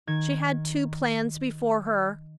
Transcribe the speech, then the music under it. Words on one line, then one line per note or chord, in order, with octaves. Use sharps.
She had two plans before her.
D#3 G#6